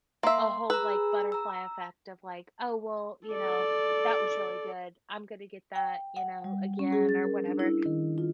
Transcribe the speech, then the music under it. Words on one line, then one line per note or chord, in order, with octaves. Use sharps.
a whole, like, butterfly effect of, like, "Oh well, you know, that was really good. I'm gonna get that, you know, again, or whatever,"
A#3 E5 C6
G#4 B4 A#5 E6
A#5 E6
A4 D5
G5
F#5
G3
C#4
G#4
A6
A#4
D4
E4
D#3
F4